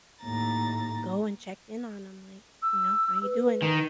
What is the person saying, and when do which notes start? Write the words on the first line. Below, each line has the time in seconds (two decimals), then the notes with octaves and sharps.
go and check in on 'em, like, you know, "How you doing?
0.23 D#2 A2 A#5 A6
2.62 E6
3.23 B4
3.62 D#3